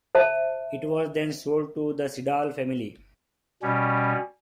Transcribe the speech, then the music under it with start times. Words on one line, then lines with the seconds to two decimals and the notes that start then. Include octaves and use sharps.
It was then sold to the Siddall family.
0.15 C5 E5 A5
3.62 B2 G3 C#4